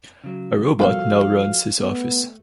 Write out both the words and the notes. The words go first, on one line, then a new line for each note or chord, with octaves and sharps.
A robot now runs his office.
C#3 F#3
B1 F3 G3 A#3 F#4 A4 F5
A3 B3